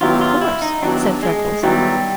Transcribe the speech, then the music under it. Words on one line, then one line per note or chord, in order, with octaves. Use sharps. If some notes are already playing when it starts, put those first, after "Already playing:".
"Of course!" said Freckles.
D#3 F#3 B3 E4 F4 G4
F4
E4
D#4
D#3 F#3 B3 D4 E4 G4
G#3
D#3 F#3 G3 B3 E4 G4